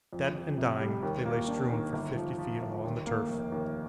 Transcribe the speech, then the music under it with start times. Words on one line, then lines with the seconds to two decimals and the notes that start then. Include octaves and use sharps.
Dead and dying they lay strewn for fifty feet along the turf.
0.13 F2
0.35 F2
0.58 C3
0.80 G3
1.03 D#2
1.25 A#3
1.48 D4
1.71 D#3
1.93 G1
2.16 F3
2.39 F3
2.61 G1
2.84 D#2
3.07 A#3
3.30 F1
3.52 D#2